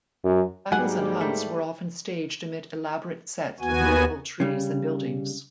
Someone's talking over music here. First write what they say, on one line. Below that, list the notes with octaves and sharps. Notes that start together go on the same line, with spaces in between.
Battles and hunts were often staged amid elaborate sets with movable trees and buildings.
F#2
G#2 F#3 G3 A#3 F#5 G#5
A3
D#2 B3 F#4 G#5
C#3 G3